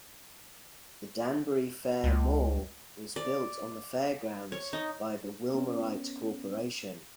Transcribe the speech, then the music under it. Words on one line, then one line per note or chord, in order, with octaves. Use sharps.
The Danbury Fair Mall was built on the fairgrounds by the Wilmorite Corporation.
C#2
D5
C#5
D#4
B3 C#4